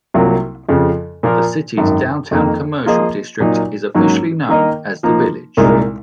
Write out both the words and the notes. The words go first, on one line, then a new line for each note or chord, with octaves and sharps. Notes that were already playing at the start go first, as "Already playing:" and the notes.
The city's downtown commercial district is officially known as "The Village".
C2 C3 F#3 A#3 F4
F2 C#3 F3
A#2 F3 A#3 F4 A#4
G#1 F#2 D#3
F2 D#3 A#3
F3 A#3 F4 G#4 D#5
A#2 F#3 A#3 D#4
G#2 F#3 A#3 C#4
D#3 A#3 D#4 A#4 D#5
F3 A#3 D#4
C2 A#2 G#3 D#4 A#4